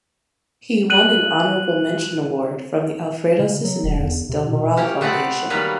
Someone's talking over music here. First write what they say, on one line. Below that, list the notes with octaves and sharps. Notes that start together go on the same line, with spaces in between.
He won an honorable mention award from the Alfredo Cisneros Del Moral Foundation.
F#6 D#7 F#7
C#3
F#3
E1
E2
C3
B2
A#3 C#4 G4
A3 B3 C4 B4 D5 F#5
D#3 F#3 G3 A#3 B3 B4